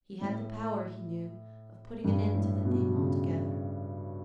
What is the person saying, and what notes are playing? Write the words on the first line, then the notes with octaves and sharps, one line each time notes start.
He had the power, he knew, of putting an end to the thing altogether.
A2
G2
A2
B2
C#3